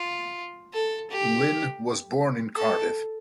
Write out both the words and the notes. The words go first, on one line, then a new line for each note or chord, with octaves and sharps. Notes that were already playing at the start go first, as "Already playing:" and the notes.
Lyn was born in Cardiff.
Already playing: F4
A4
G4
A4